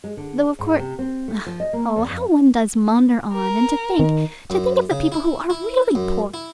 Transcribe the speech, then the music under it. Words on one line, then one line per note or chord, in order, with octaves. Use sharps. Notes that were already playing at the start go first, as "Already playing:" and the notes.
Though of course--Oh, how one does maunder on, and to think, to think of the people who are really poor.
G#3
D3
G#2
C3
C4
A3
F3
D#5
A#3
E2
F2
A#4
D#3
F#2
C#3
E4
E4
F#2
E4